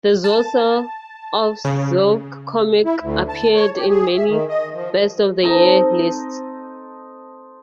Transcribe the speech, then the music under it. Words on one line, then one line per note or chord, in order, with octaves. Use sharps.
The Zaucer of Zilk comic appeared in many 'best of the year' lists.
A5
C#3
E4
D2
A5
C#5
G4
G#4
E5
D#3
D#5
F3
C4 D#4 A4 D#5